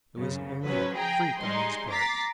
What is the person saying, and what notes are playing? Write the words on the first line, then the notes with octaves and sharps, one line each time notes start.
It was only a freak on his part.
F#2 C#3
F3 F#3 C#4 B4
G#4 G5 A#5
G3 G#3 D#4 C6
A#5 D6 A6 B6 C7